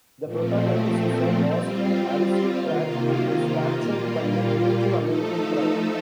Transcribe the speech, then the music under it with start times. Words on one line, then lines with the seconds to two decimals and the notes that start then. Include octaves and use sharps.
The protagonist is a Boston aristocrat who is captured by a Native American tribe.
0.23 A#2 F3 A3 C4
1.41 G3 C4 F4
2.58 C3 D#3 A#3 F4
3.75 A#2 G3 A#3 F4
4.93 F3 A3 D#4 A4